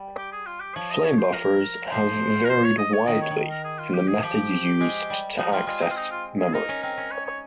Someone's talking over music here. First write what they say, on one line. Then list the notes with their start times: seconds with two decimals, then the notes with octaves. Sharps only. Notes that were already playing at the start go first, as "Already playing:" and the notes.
Framebuffers have varied widely in the methods used to access memory.
Already playing: G3
0.18 G4
0.32 G#4
0.47 F4
0.61 G4
0.75 F3 C#5
0.91 D#5
1.05 C#5
1.19 C5
1.34 A#4
1.91 F3 C5
2.45 A#4
2.49 C5
2.64 C#5
2.78 D#5
2.93 C#5
3.07 D#3 D#5
3.22 C#5
3.31 D#3
3.50 A#4
3.65 G#4
3.79 F4
3.94 G4
4.08 G#4
4.23 F3 G4
4.81 G#3
5.10 G3
5.39 F3 D#4
5.53 G3 F4
5.67 G#3 F4
5.81 C4 D#4
5.91 F4
5.97 D#4
6.11 F4
6.40 G#4
6.54 D#4 A#4
6.69 C#4
6.83 C4 A#4
6.98 C#4
7.12 C#5
7.26 C#5